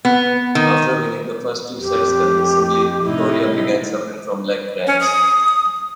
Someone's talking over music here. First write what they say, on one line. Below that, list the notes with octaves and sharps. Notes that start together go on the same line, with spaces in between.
After winning the first two sets convincingly, Coria began suffering from leg cramps.
B3
D#3
F2 G4
A2 C3 D#4 E4
C#4
D#6